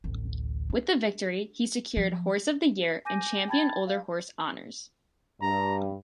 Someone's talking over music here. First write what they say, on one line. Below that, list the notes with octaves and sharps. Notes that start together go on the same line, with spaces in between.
With the victory, he secured Horse of the Year and Champion Older Horse honors.
A1 D2
D4
F3
G#5 D6 G6 A#6 D#7
G5 A5 B5 G#6 A6
F5
G2 A#5